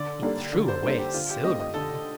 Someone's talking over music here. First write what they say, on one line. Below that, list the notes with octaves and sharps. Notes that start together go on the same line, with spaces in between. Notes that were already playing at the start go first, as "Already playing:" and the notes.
He threw away his silver money.
Already playing: D3 D5
G3 A#3 D4 A4
D3
C5
G3 A#3 D4 A4 C5
G4
D3 F4
G4
A3 C4 G4 D#5
D#5
D3 A4